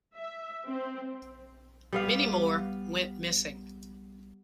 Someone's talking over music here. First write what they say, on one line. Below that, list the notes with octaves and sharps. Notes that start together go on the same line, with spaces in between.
Many more went missing.
E5
C4
G3 B3 F5